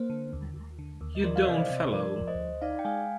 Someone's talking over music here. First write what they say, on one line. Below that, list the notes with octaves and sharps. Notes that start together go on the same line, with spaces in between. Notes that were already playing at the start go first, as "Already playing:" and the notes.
You don't follow.
Already playing: A#3 C5
D3
D#2
D#2
D3
D#2
D#5
F3 A#4 D5
F5
D#5
C3 D5
C5
C3
F3 A#4 D5
F3
C5 D#5
D2
D#4 D5 F5
G5
G#3 F5 G#5